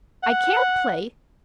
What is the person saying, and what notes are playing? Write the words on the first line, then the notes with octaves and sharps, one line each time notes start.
I can't play.
F#5